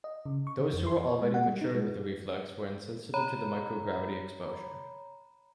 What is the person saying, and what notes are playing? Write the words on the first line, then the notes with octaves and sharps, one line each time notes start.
Those who were already matured with the reflex were insensitive to the microgravity exposure.
D#5
C#3
C#6
D#3
F2
C6
C#5
G#3
F#5
G3
D#4
G#3
C#5 A#5 B5